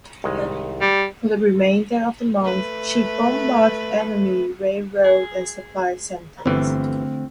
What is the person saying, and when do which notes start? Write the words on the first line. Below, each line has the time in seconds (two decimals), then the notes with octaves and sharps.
For the remainder of the month, she bombarded enemy railroad and supply centers.
0.24 C2 D#3 G#3
0.81 G3
2.41 A3 B4
5.04 G#4
6.46 G1 D3 E3 F3 A3 C4